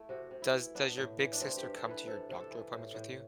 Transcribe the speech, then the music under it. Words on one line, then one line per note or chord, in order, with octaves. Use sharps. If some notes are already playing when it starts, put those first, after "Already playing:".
Does does your big sister come to your doctor appointments with you?
Already playing: A3 E4
C3 F#4
C3
E4
E3
B3 D4
A2
E3
D4
G2 C4
G4
G2
A4
E3
B4
C3 A4
C3
A4
E3
A2
A2